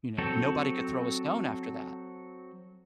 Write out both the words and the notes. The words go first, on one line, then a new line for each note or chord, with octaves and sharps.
you know? Nobody could throw a stone after that,
F#3 C4 F#4 A4